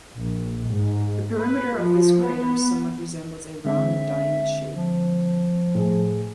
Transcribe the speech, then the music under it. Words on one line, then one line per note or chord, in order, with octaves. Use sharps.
The perimeter of this crater somewhat resembles a rounded diamond shape.
A#1
G#2
B4
F3
B3
D3 G#3 C4 E5
F3
A2 G#4